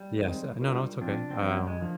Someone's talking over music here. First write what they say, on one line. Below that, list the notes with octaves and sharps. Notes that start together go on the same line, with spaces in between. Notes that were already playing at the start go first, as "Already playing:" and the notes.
Yes uh, no, no, it's okay. Um,
Already playing: G3
D#3 G#3 C4
G3 G#3 D4 F4 A#4
F3 C4 D4 F4
C4
F3 A#3 C4 G4
G3
G#3
D3 F3 A#3